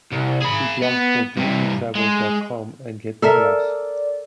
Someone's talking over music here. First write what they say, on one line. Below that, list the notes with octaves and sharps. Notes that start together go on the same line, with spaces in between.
She blogs for doyoutravel dot com and Get the Gloss.
C2
G#4 B5
B3
G2 C3
G#3
A4 A#4 D5 E5